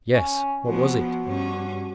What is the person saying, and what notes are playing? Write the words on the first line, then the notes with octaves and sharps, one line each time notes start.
"Yes, what was it?"
C#4
F3 B3 F#4
G2 C#4